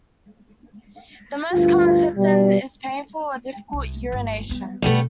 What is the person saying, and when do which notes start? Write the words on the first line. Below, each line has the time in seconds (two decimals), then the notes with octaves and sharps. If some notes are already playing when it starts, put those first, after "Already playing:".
The most common symptom is painful or difficult urination.
1.52 D2 G2 F4
2.16 B2 G3
3.73 C2
4.12 G1
4.49 F#3 B3
4.82 B2 D3 G3 A3 B3